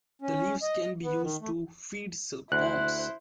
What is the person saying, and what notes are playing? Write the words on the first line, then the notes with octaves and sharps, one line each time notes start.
The leaves can be used to feed silk worms.
C#4
D#5
B3
D#3
A3
D2 E4 C5 F#6